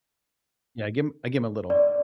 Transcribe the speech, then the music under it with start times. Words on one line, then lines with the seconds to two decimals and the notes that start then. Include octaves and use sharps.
Yeah, I give him I give him a little.
1.70 D5